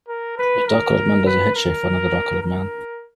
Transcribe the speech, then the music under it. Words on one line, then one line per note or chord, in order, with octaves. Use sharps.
A dark colored man does a head shave for another dark colored man.
A#4
B4
A#4
B4
A#4
A#4